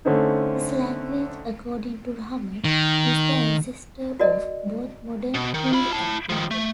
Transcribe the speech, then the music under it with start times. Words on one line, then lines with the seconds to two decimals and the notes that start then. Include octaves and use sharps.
This language, according to Rahman, is the ancestor of both modern Hindi and Urdu.
0.05 D3 A3 C4 C#4 D#4
2.64 D#3
4.19 F#4 A#4 D5 D#5
5.34 B2
5.54 D#3
5.73 F4 B5
5.93 E4 A5
6.29 D#3 F3
6.51 A3